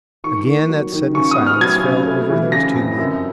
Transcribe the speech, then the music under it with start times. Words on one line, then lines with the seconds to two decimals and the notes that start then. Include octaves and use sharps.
Again that sudden silence fell over those two men.
0.24 D#3 C#6
0.47 A#3
0.69 F#3
0.92 D#3
1.15 C#3 C#6
1.31 D#6
1.39 B3
1.46 F6
1.61 F#3 G#6
1.83 C#3
2.07 A3
2.29 E3
2.52 C#3 A#6
2.75 F2
2.98 F#2